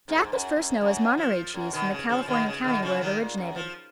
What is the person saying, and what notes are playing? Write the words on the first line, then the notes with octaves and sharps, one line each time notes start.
Jack was first known as Monterey cheese from the California county where it originated.
G#2
A#2
G#2
F#2
F#2
F#2
F3
F#2
B2 D#3
C#3
C#3 F3
B2 D#3
C#3
B2 D#3
C#3 F3
D#3 F#3
A#2
F#2
F3